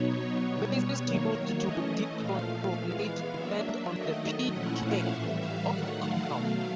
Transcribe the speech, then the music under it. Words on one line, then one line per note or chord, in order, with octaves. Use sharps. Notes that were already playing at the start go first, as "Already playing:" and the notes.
Bases used to deprotonate depend on the p"K" of the compound.
Already playing: B2 F#3 B3 D#4 C#5
B2 G3 B3
D#3 F#3 A#3
E3 A3 C#4 D#5
A#2 F3 A3 F5
E3 G#3 B3
F#3 A#3 D4 E5
D#3 F#3 A3 D#5
D#5
A#2 F3 A3 C#4 E4 F#5
F5
A2 E3 G3 E5
F5
D#3 F#3 A3 F#5
F5
B2 F#3 A3 F5